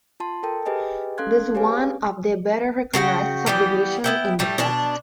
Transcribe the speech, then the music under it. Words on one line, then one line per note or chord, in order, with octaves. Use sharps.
This is one of the better-recognized subdivisions in the text.
F4 A5 C6
A4 A#4 G5 A5
G4 G#4 B4 D#5 G5 G#5
C#4 A4 F5 C6 F#6 G#6
G4 G#4 B4 C#5 F5 G#5
C#3 F#4 G#4 G5
E3 G3 B3 G4
B3 E4 G5
A2 G3 A3
B2 D4 A5